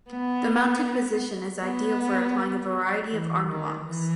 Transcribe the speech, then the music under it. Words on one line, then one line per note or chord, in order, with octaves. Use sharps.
The mounted position is ideal for applying a variety of armlocks.
B3
B3
E3
D#3
E3